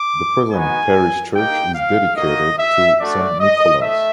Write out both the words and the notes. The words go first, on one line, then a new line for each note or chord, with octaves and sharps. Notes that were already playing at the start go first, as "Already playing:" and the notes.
The present parish church is dedicated to Saint Nicholas.
Already playing: D6
B3 D#4 F#4 G#5
A#3 D#4 G4 G5
F5
A#3 D#4 F#4 D#5
E5
A3 D4 F#4 D5
D#5
A3 E5